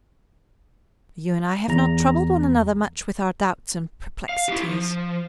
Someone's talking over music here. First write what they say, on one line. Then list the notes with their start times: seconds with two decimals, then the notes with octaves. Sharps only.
"You and I have not troubled one another much with our doubts and perplexities."
1.68 E2 A#5
4.29 F5
4.48 E4 G4
4.69 F3